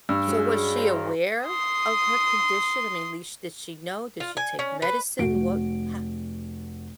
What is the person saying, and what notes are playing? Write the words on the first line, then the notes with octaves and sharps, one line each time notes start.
So was she aware of her condition? I mean, at least, did she know? Did she take medicine? What ha
G2 E6
G#3 C#4 F#4
C5 A#5
C6 D#6
F4
G#5
C#4
B4
F1 F#4 D7